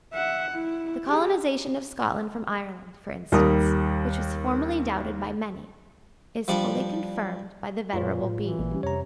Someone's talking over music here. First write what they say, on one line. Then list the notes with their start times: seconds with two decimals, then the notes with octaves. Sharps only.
The colonisation of Scotland from Ireland, for instance, which was formerly doubted by many, is fully confirmed by the Venerable Bede.
0.13 E5 F#5
0.52 E4
1.06 G4 G#4
3.32 D#2 G3 A#4 D#6
6.48 F3 G3 D4
7.93 F#2 A#2 G#3 F4 B4 C#5
8.20 A2
8.38 E3
8.59 A1 A#2
8.70 G3 C#4 G4
8.83 F2 C3 C#5 A#5